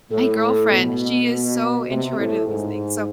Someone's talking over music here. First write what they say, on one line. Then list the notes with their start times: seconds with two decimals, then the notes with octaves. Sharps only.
my girlfriend, she is so introverted to these things, so,
0.11 A2 A4
0.70 B2
1.87 C3
2.18 A2
2.47 G#2